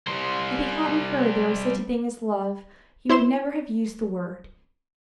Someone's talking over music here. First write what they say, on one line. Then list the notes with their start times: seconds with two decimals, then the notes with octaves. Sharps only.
If he hadn't heard there was such a thing as love, he would never have used the word.
0.08 G3 C5
3.09 E4 C5 C6 E7